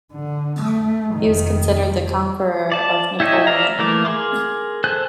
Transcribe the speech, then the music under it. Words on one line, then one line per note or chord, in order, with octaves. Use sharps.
He was considered 'the conqueror of Napoleon'.
D3
A3
F1 D#3
D5 A5
E4 G4 C#5 D#5 E5
D5 E5 F5 A#5
E3 A3 A#3 A#4 D6
G#4 A#4 C6 D6
A4 C5 G#5 F#6